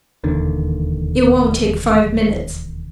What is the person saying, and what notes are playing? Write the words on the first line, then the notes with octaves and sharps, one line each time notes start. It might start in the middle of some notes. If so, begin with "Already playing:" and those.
It won't take five minutes.
E1 D#2 D3 D#3